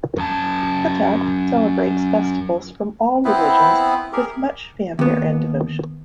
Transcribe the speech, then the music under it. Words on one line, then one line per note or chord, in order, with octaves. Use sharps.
Cuttack celebrates festivals from all religions with much fanfare and devotion.
F#2 A5
B3 C4 E4 B4
G4 G#4 A#4
D#2 B3